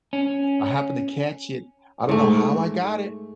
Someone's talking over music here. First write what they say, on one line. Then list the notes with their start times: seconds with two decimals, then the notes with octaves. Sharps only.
I happened to catch it, I don't know how I got it
0.13 C#4
2.09 G#2 A3